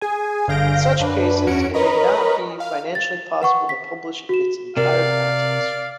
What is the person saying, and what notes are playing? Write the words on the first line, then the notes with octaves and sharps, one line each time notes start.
In such cases, it may not be financially possible to publish its entire contents.
G#4 G#5
G1 D3 F5 G6 A#6 D7
F#2 D4 B4
E2 C#4 F#4 C#7 D7
A#4 B4 C#5 D#5 A#5 B5
F5
A6
B4 F#5 C#6
B6
F#4 E7
C3 A#4 D5 F5